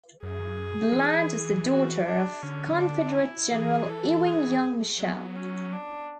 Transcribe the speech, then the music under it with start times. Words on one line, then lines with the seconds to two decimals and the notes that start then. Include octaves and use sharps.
Bland was the daughter of Confederate General Ewing Young Mitchell.
0.23 F#2 G#4
0.92 F#3
0.96 E3
1.70 F#4
2.06 D4
2.42 D3 C#4
2.79 D4
3.16 E4
3.52 E3 G#4
3.89 A4
4.26 G#4
4.99 F#3 B3
5.36 C#4
5.73 D4